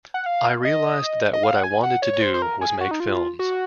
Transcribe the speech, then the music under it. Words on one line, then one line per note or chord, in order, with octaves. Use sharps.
I realized that what I wanted to do was make films.
F#5
F5
D#5
D#5
F5
F#5
G#5
F#5
C#5
C#5
C5
C5
A#4
G#4
F#4
D#4
F4
F#4